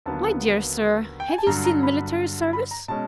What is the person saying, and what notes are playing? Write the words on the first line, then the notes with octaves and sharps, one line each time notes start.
"My dear sir, have you seen military service?"
D#2 D3 F#3 B3 D4 A5
G5
G#5
A5
G2 D3 F#3 A#5
A#5
B5
B5
A#5
B2 G#3 C#4 A5